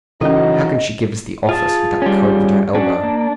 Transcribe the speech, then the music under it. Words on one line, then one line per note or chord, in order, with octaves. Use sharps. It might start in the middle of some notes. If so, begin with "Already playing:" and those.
"How can she give us the office with that cove at her elbow?"
F#2 C#3 E3 C#4 D#4 F#4 A4 D#5
F4 G#4 A5
G3 C#4
C#4 D4 F#4
A#3